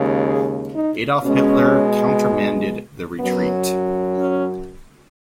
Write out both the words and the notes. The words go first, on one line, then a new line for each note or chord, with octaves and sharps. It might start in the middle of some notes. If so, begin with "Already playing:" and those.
Adolf Hitler countermanded the retreat.
Already playing: D#2 C#3 G#3
G#4
D#4
B2 G#3 C#4
F#2 F#3 B3
C#4